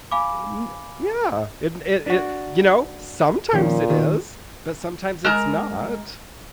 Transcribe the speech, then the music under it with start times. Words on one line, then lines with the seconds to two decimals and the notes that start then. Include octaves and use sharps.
Uh n yeah, it it it, you know, sometimes it is, but sometimes it's not,
0.11 F5 G#5 B5 D6
2.06 D4 F#4
3.53 A#2 D#3 F3 C#4
3.90 D#3
5.24 G#3 A#4 A#5